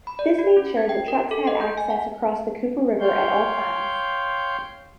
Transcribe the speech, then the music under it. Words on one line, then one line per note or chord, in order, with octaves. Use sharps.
This made sure that trucks had access across the Cooper River at all times.
B5
D5
F#4
C#4
G#6
G5
A#4
A4
D#5
G6
G#5
F#5
C#5 F5 G5 C6 G6